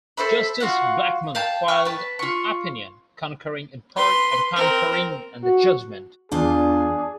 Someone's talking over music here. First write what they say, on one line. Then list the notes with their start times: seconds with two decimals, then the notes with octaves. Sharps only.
Justice Blackmun filed an opinion concurring in part and concurring in the judgment.
0.17 A4 C5 E5 B5
0.60 F4 F#4 F5 F#5
1.35 F5 G5 A5
1.68 G5 C#6 F6
1.85 B4 A5
2.19 F4 C#6
3.96 B4 C6
4.56 C4 A#4
5.42 F#4
6.32 E2 D4 F4 G#4